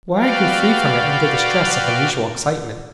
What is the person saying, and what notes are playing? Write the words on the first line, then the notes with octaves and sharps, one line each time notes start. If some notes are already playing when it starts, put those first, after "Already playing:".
Why are you free from it under the stress of unusual excitement?
F#4 B4 D5 F5 G5